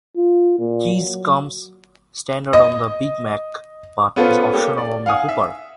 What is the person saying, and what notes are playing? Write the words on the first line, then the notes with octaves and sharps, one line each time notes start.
Cheese comes standard on the Big Mac, but is optional on the Whopper.
F4
A#2
F#3
D#5
B3 C#4 F4 A4 B4 C5
A#3 G4 A4 C#5
D5
F5 F#5 G#5 D#6
E5